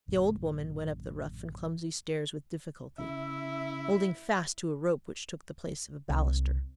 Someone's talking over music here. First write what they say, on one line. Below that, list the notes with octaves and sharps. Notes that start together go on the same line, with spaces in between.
The old woman went up the rough and clumsy stairs with difficulty, holding fast to a rope which took the place of baluster.
A1 F#2 A#2 D3
C#3 E4 E5
C2